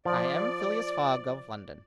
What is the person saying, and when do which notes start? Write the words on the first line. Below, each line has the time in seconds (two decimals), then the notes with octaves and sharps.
"I am Phileas Fogg, of London."
0.05 F3 D5